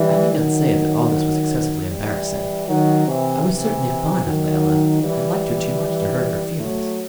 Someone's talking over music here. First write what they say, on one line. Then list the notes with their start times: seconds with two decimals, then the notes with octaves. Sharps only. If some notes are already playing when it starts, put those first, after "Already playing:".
I need not say that all this was excessively embarrassing I was certainly fond of Layelah, and liked her too much to hurt her feelings.
Already playing: E3 G3
0.32 D#3 F#3
1.89 E3 G3
2.68 D#3 F#3
3.06 C3 E3
3.46 C3 E3
4.25 D#3 F#3
5.02 E3 G3
6.59 F#3 A3